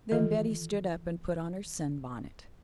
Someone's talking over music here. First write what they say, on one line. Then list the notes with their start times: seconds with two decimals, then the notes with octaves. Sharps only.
Then Betty stood up and put on her sunbonnet.
0.11 D#3 E3 F4 A4 D#5